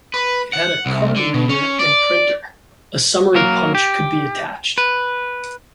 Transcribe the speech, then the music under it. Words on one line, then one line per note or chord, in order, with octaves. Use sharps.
It had a card reader and printer; a summary punch could be attached.
B4
F#5
C2
D3
B2
C#4
D5
F#3 A#3 A#4
G4
B4